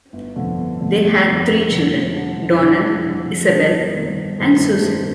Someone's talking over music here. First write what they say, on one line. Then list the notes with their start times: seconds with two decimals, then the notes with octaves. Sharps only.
They had three children: Donald, Isabel and Susan.
0.13 G1
0.36 F2 D3 A3
0.58 G1
0.80 F2 D3 A3
1.03 G1
1.25 F2 D3 A3
1.47 G1
1.70 F2 D3 A3
1.92 F2
2.14 D3 G3 D4
2.36 F2
2.59 D3 G3 D4
2.81 F2
3.03 D3 G3 D4
3.25 F2
3.48 D3 G3 D4
3.70 G1
3.93 G2 D#3 A3 C4
4.15 G1
4.37 G2 D#3 A3 C4
4.59 G1
4.82 G2 D#3 A3 C4